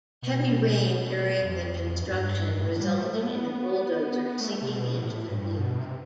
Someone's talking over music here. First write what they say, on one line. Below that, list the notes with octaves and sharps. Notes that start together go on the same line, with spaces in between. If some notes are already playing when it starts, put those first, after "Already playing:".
Heavy rain during the construction resulted in a bulldozer sinking into the field.
B2
F2
G2
A2
G3
A3
A3
B3
A3
C3
B2
A2
G2
B2
C3